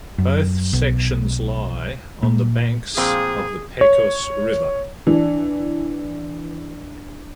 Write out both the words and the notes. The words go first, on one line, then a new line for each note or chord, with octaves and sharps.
Both sections lie on the banks of the Pecos River.
F#2
B1
A#2
A#2 F3 C4 G#4
C#5
E3 D4